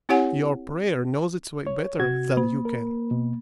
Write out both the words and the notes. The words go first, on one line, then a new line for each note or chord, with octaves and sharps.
Your prayer knows its way better than you can.
C4 E4 G4 C#5 F#5 G#5
C#5
C3 F#4 G#6
A#3
A#4
B2